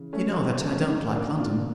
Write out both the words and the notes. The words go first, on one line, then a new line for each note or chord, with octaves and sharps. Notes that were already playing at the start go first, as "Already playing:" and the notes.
You know that I don't like London.
Already playing: C#3 E3
A3 C#4
A#3
C#3 F3 A3 C#4
A#3 D4
D4 F4